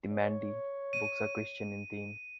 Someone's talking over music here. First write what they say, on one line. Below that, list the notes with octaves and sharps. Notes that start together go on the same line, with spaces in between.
The "Mandie" books are Christian in theme.
C#5
D#7